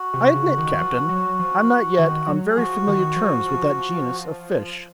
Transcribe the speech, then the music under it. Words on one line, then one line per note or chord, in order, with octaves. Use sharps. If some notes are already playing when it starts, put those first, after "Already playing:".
"I admit, captain, I'm not yet on very familiar terms with that genus of fish."
Already playing: F#4
C3
C#3
D#3
F3
F#3
F3
D#3
F#3
G#4
F3 F#4
D#3
F3
F3